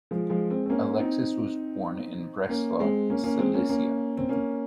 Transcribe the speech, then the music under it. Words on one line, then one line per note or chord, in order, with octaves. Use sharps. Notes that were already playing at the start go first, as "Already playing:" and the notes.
Alexis was born in Breslau, Silesia.
F3 G#3
F3 G#3
G#3 C4
C4
A#3 C#4
C4 D#4
A#3 C#4
G#3 C4
A#3 C#4
A#3 C#4
G#3 C4
A#3 C#4
A#3 C#4
C4
A#3 C#4